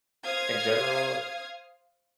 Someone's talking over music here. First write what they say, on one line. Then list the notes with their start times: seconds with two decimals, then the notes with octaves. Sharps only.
in general."
0.23 C5 F5 D#6 F6 G#6